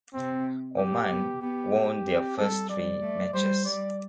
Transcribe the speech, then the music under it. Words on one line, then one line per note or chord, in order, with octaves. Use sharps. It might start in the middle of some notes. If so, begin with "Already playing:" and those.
Oman won their first three matches.
C3 C4
G4
B3
B3 G4
C4
G3 A4
G3 D5
A3
G3 C5
G3 D5